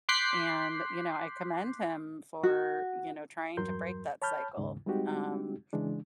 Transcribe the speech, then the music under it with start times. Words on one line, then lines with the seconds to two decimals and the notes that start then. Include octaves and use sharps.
And, you know, I commend him for, you know, trying to break that cycle, um
0.09 C6 D6 F#6 G6 B6 C7
2.43 F#4
3.57 E2 G2 F#3 A#4 C6 G6
4.22 C#5 A5 B5 F6 G6
4.57 D#2 G#2 C#3
4.86 G3 G#3 C4 D#4 F#4 G4
5.73 C#3 E3 G#3 D4